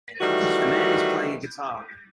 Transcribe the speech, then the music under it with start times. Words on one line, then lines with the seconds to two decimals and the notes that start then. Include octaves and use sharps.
A man is playing a guitar.
0.21 D#3 E3 G3 A3 F#4